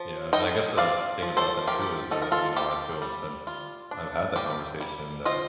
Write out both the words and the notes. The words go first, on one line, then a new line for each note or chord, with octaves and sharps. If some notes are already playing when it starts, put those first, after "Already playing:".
Yeah. And I guess the thing about that too is that, you know, I feel since I've had that conversation that
Already playing: F3
D#4 D#5 G5
C4 D5 F5
F3
A4 C5
F3 G4 A#4
D#4 A4
A#4
F4 A4
A#3 G4
G3
F4
D4
A#3 G4
G3
F4 C5 D#5